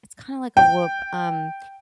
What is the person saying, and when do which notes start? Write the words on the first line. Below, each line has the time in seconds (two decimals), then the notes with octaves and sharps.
It's kinda like a Whoop. Um,
0.57 G5